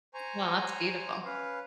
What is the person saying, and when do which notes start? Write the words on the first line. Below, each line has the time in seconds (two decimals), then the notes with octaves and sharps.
Well, that's beautiful.
0.14 C5 G#5 A#5 C#6
1.25 C#4 B4 F5